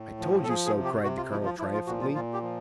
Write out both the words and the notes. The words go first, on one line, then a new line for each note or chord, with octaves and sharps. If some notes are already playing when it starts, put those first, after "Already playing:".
"I told you so," cried the colonel, triumphantly.
Already playing: A2
F3
A4
F3 G#4
G#4
C3
G4
C3 F#4
F4
F3 E4
F4
F3 E4
F4
A#2 F#4
F4
A#2 F4
G4
F3